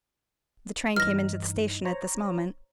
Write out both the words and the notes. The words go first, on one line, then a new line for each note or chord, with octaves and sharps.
The train came into the station at this moment.
G2 E3 D#4 F6 A#6
C5 C#5 A#5